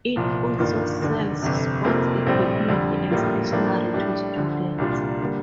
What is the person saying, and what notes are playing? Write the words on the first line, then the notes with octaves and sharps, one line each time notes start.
It also sells sports equipment and stationery to students.
C2 A#2 F3
G1 G2 D#3 A#3 F4
F1 D#2 D3
G1 F2 C3
F1 F2 C3 F3 A#3
A#1 A2 G3 C4
F2 D3 G3
A#1 A2 G3 A#3 F4
A2 F3 A#3 D4
A2 G3 D4
D2 D3 F3
C2 A#2 G3 D4 F4
D3 G3 A#3